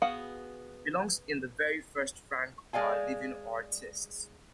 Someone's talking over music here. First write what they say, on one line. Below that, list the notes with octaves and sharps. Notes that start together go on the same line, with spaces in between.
He belongs in the very first rank of our living artists.
B3 F#4 G#4 F5 F#5
G#3 D5 F5 G#5